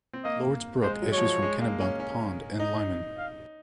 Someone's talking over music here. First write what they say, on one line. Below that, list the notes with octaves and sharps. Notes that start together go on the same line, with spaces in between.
Lords Brook issues from Kennebunk Pond in Lyman.
C4
A#3 D#5
G#3 C5
F#3
C#5
F3
F#3
G#3
A#3
C#4
C#4
D#4 D#5
F5